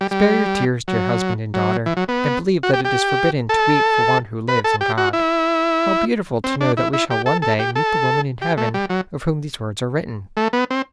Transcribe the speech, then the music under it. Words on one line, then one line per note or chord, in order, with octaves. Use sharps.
'Spare your tears, dear husband and daughter, and believe that it is forbidden to weep for one who lives in God.' How beautiful to know that we shall one day meet the woman in Heaven of whom these words are written!
G3
G3
F#3
F#3
E3
F#3
B3
F#4
G4
G4
A4
B4
A4
G4
F#4
E4
C4
D4
E4
E4
G4
A4
A4
G4
A4
G4
A3
G3
F#3
A3
B3
C4